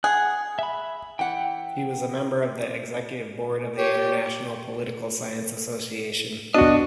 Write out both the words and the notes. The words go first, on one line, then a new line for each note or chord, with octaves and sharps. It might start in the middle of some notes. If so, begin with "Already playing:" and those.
He was a member of the Executive Board of the International Political Science Association.
G#4 F#5 F#6
E5 B5
E3 F#5 G5
G4 C#5
B2 D4 F#4 D#5